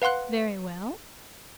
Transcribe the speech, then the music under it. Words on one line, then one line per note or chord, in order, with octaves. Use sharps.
'Very well.
B4 F5 F#5 C6 F#6